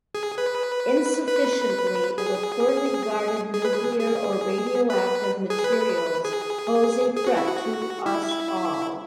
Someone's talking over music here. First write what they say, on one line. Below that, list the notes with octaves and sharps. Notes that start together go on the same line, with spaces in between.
Insufficiently or poorly guarded nuclear or radioactive materials pose a threat to us all.
G#4
B4
B4
G#4
G#4
B4
G#4
G#4
B4
G#4
B4
G#4
G#4
F#4
E4
F#4
E4